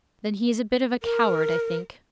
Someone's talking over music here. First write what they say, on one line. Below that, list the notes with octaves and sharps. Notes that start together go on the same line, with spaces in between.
'Then he is a bit of a coward, I think.'
A#4